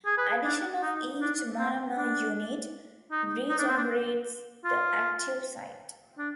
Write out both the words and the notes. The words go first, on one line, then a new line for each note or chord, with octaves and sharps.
Addition of each monomer unit regenerates the active site.
G#4
B4
G#4
D4
D#4
D4
C4
D4
D#4
D#4
D4
C4
D4
F4
D4